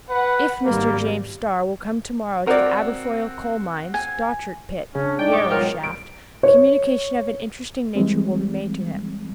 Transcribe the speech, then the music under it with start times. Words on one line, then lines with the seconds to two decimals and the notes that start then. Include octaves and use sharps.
IF Mr. James Starr will come to-morrow to the Aberfoyle coal-mines, Dochart pit, Yarrow shaft, a communication of an interesting nature will be made to him.
0.10 B4 F#5
0.65 G#1 G3 A#3
2.47 C4 F#4 A#4 D5
3.94 G#5
4.95 C#3 C#4 D4
5.19 D#4 D5 G5
5.33 G#2 G#3 C#6 D6
5.51 B2 F3 F#3 G#3 C#4 F4 A#4
5.83 D7
6.43 C#5
7.95 E3 G3 G#3 C4